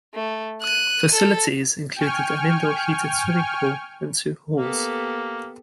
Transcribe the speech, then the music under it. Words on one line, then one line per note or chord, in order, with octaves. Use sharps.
Facilities included an indoor heated swimming pool and two halls.
A3
F#6 D#7
A4
G5 G#5 C#6 F6
A#3 B3 G4 A4